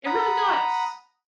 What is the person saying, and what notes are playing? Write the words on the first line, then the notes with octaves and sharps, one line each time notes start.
It really does.
F#5 A#5 B5 D#6